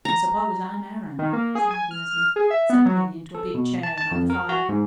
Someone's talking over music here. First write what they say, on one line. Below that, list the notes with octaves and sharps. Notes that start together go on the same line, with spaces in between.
"I suppose I'm Aaron," sighed Leslie, settling into a big chair by the fire.
A#5
D#3
A#3
G#4
G#5
F6
F6
G#4
E5
B3
F#3
A4
B2
A5
A5
F2
A#4
F#4
G#2